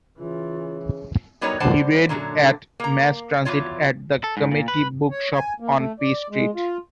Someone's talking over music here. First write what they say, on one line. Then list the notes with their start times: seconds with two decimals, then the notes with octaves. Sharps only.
He read at Mass Transit, at the Community Book Shop on P Street.
0.19 C#3 E3 F4
1.41 F#3 G3 B3 D#4 A#4 C#5
1.60 D3 G3 C5 F#5 A5
2.09 F#2 A#2 D3 F#3
2.80 A#3 A#5
3.45 E2 D#3 F#3 F4 C#5
4.24 A4
4.37 G#2
4.51 A#2
4.68 B4
5.11 C#5
5.34 G#5
5.60 A#3
5.76 A3
6.00 D5
6.30 G#3
6.55 F4